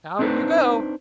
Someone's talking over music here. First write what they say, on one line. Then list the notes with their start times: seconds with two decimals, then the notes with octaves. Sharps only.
'Down you go!
0.19 C4 D4 D#4 G#4 B4 C5